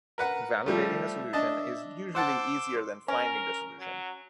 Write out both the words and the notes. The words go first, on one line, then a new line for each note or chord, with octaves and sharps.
Validating a solution is usually easier than finding the solution.
A#4 B4 F#5
F3 G3 A3 E5
D4 D#5 A5
C5 F#5 A5 C6 D6 E6
C#4 A#4
F#3